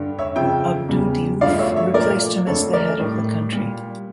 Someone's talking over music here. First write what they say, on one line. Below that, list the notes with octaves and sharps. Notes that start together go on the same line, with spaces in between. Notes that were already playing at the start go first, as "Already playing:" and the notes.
Abdou Diouf replaced him as the head of the country.
Already playing: G2 D3 G3
C#5 E5
F2 C#3 F3 E5 G5
E2 C#3 G3
G2 D3 F3 A3 D5 F5
C#5 E5
C#5 E5
A#2 F3 A3 A#4 D5
F2 D3 A3 A4 C#5
A#4 D5
A2 G3
A#2 G3